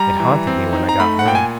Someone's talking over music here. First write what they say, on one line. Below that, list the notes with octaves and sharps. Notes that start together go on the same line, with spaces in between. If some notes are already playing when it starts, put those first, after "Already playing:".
It haunted me when I got home.
Already playing: G3 A#5
E3
C4
D#4
A#5
A3 B5
F#5
A#2 G5
G#5